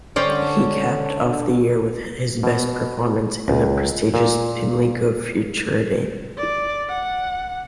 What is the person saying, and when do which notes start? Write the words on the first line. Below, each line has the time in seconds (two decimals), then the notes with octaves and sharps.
He capped off the year with his best performance in the prestigious Pimlico Futurity.
0.16 D3 C#4 C5 D5
2.43 B2
3.48 C#2
4.14 A#2
6.38 D5
6.89 F#5